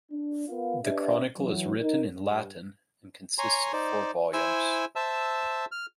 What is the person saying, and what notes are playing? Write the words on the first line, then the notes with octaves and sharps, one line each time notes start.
The chronicle is written in Latin and consists of four volumes.
D4
B3 F4 A#4 F5
D4 G4 B4 D#5 E5
E3 F#3
D#4 A#4
G2
C#5 G#5 A#5 C6
D#4 C5 D5
E4 C5 G#5 E6
C5 E5 A5 E6
F6